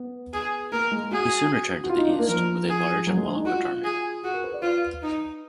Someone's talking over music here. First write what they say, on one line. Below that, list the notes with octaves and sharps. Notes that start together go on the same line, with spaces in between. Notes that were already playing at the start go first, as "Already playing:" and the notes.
He soon returned to the east with a large and well-equipped army.
Already playing: B3
G#4
A#3 A#4
G#3
F#4 G#4
F#4
F4
D#4
D4
A#3
F3 A#4
G#4
F#3
G#3
D4
D#4
F4 F#4
G#4
F#4 G#4
A#4
B4
D5
F4 B4
D#4